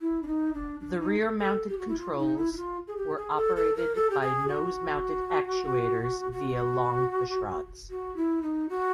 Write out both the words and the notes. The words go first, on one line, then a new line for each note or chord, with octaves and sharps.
The rear-mounted controls were operated by nose-mounted actuators via long pushrods.
E4
D4
D#4
D4
D4
D#4
A4
A4
G4
F#4
E4
F4
D#4
E4
E4
F4
G#4
G4
G#4
A4
A4
A#4
A4
G4
G#4
F#4
F#4
F#4
E4
D#4
F#4